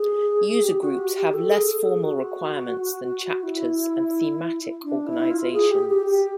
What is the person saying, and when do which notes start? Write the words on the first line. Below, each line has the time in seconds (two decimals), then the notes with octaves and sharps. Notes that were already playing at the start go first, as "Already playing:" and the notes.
User groups have less formal requirements than chapters and thematic organizations.
Already playing: G#4
0.64 G4
0.81 F#4
0.98 G4
1.16 G4
1.34 A4
1.51 G#4
1.69 A4
1.86 G#4
2.03 F#4
3.43 E4
4.84 D4
5.07 E4
5.31 F4
5.53 G#4
5.71 G4
5.89 G4
6.07 G4